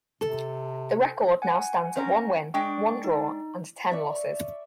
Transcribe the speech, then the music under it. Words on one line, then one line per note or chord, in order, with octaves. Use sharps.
The record now stands at one win, one draw and ten losses.
C3 A4
F#5 G#5
C4 C#4 A#4
G#3 D4 G5 C#6
D#4
D5 E5 C#6